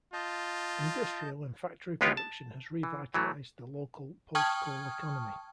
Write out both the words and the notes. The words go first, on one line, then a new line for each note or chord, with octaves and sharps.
Industrial and factory production has revitalized the local post-coal economy.
F4 D#5 A5 G6
C#2 G#3 B3 F4 G4 C#5
A5
E3
E3 F#3 A3
G5 A5 C#6 D#6 F6 G#6